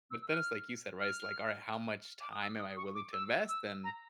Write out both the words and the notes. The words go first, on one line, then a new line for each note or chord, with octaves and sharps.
but then it's like you said, right it's like, "All right, how much time am I willing to invest and"
E6
E6
F6
F6
D6
D#6
E6
D#6
C#6
D6
E6
E6
A#5